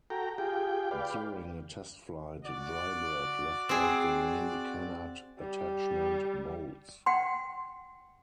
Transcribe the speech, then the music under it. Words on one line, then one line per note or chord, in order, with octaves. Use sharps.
During a test flight Drybread left out the main canard attachment bolts.
F#4 A4 G5 A#5
F4 G4 G#4 G5
B4 D5 F5 G5
F#4 D5
C4 G#4
G3
F#5 G5 C6